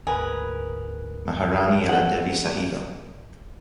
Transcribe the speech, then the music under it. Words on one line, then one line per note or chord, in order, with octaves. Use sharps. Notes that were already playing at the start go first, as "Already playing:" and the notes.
Maharani Ella Devi Sahiba.
D2 G#2 G#4 A#4 B4
A4 F#5